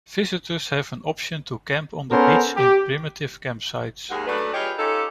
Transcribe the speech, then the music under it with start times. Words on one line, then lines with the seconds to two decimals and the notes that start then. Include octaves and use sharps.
Visitors have an option to camp on the beach in primitive campsites.
2.10 B3 C#4 A4 A#4 C5
2.56 G4
4.11 D#2 G#3 F#5
4.27 F#3 A3 D4 B4
4.54 F4 G4 G#4 B4 C#5 D#5
4.79 C#4 D#4 F4 G4 A4